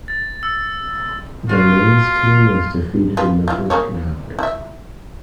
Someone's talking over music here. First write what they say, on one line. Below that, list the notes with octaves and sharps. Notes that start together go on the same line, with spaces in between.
The men's team was defeated in the first round.
A6
E6
F4 F#4
F4 B4
E4 F4
C#3 A#3 C#5
E4 E5